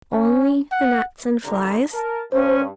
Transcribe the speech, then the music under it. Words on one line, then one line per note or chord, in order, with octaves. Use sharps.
Only the gnats and flies?
C#4
F#5
C2 D3 A#5
A#4 A5
G2 C#4 C5